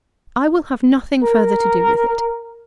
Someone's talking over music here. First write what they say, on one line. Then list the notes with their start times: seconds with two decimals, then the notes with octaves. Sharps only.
I will have nothing further to do with it.
1.23 A#4